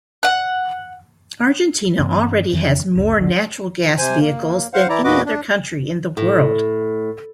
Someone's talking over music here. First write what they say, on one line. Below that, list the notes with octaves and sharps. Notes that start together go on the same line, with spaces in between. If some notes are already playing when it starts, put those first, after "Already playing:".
Argentina already has more natural gas vehicles than any other country in the world.
F#5 F#6
G2 E3 A#3 C4
F2 D#3 E3
F#1 C#2
F#1 C#2 A2 D3
C3 C5 G#5
A#3
C5 F5 F#5
E3 E4 D5 A#5
E2 A#2 F#4 B4 D#5 D6
D4
A2